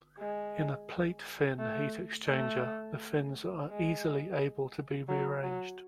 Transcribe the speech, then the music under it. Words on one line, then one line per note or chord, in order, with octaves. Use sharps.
In a plate-fin heat exchanger, the fins are easily able to be rearranged.
G#3
A3
A3
G#3
F#3
F#3